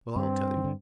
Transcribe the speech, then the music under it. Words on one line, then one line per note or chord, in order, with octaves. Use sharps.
Well, I'll tell you.
G2 C4
D#3
D3